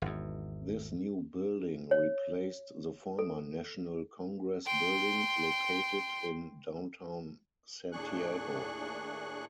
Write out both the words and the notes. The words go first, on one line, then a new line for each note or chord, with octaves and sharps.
This new building replaced the Former National Congress Building, located in downtown Santiago.
G#1 E2
C#5
A4
G5 C6
D#2 A2 D4 G#4 C#6 F#6